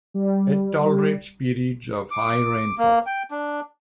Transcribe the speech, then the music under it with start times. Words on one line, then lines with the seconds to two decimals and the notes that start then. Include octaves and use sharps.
It tolerates periods of high rainfall.
0.14 G3
2.11 D6
2.78 A#3
3.06 G5
3.31 D4